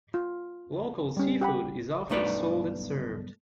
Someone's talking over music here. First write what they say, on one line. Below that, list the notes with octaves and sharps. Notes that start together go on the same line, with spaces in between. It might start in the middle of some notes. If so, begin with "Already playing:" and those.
Local seafood is often sold and served.
F4
G3 C#4
G4 F#5 B5
B1 G2 A3 D#4 B4 D5